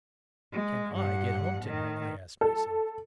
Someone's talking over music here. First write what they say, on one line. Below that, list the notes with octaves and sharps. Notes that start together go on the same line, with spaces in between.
"CAN I get home tonight?" I asked myself.
G#3
G2 F#5
A2 D#3
A4